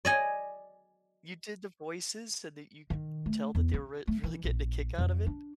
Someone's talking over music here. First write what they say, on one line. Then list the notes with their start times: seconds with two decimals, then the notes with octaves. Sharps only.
You did the voices so that you could tell that they were re really getting a kick out of it?
0.05 D5 D#5 G#5
2.90 D#3
3.26 A3
3.55 E2
3.74 C#4
4.07 A3
4.24 E3
4.44 A#1
4.98 F2
5.27 D4